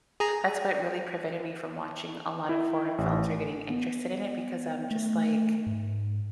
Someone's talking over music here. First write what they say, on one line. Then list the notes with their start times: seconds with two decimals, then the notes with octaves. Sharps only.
That’s what really prevented me from watching a lot of foreign films or getting interested in it because I’m just like,
0.20 G#4 A#5
2.49 E4
2.98 A1
3.70 B3
4.91 A3
5.67 G#2